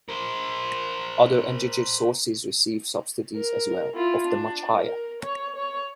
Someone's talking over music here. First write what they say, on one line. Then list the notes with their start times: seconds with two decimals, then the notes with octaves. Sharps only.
Other engergy sources receive subsidies as well, often much higher.
0.09 A#4 C5
3.36 A#4
3.95 E4 F4
4.28 D4
4.76 A#4
5.23 C#5
5.56 C#5